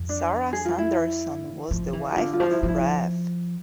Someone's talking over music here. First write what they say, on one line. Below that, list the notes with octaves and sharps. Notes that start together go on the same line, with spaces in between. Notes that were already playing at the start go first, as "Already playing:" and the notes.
Sarah Sanderson was the wife of Rev.
Already playing: F2
D4
G#4
F4
E4
E3
F3
E3
G#4
D3 F4
F4
F3
E4
F3
E4